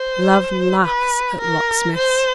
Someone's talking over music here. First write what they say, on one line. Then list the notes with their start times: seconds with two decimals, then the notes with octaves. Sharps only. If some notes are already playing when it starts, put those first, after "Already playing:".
Love laughs at locksmiths.
Already playing: C5
0.85 B4
1.41 A#4
1.97 C5